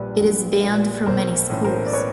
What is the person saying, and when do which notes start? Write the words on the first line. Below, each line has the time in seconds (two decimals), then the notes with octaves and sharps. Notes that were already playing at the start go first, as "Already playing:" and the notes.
It is banned from many schools.
Already playing: A#1 A#2 G3 B4
0.20 A#1
0.63 A#2 G3
1.06 B1 A#4 C5
1.50 A2 E3 A3 C#4
1.64 A#4 C5
1.86 D5
1.93 B4 C#5